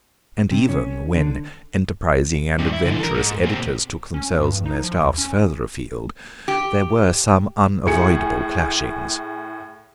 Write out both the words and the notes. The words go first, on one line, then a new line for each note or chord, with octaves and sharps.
And even when enterprising and adventurous editors took themselves and their staffs further afield there were some unavoidable clashings.
C3
C#4
D3
G2 C3
E4
D3 E3
A4 A#4
G#2
A#2 C4
C#4
G2
D#4
F3
D#2
C#4
G4
A2 G#4 C#7